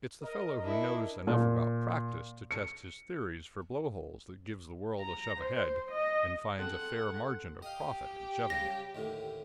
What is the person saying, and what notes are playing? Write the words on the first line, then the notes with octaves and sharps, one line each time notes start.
It's the fellow who knows enough about practice to test his theories for blow-holes that gives the world a shove ahead, and finds a fair margin of profit in shoving it.
A#4 D#5
D4 E4
A#2
C#7
A#5
C5
D#5
C4 G#4 A4 F#5
G4 D#5 F5
C#3 G3 A#6
D#2 A2 D3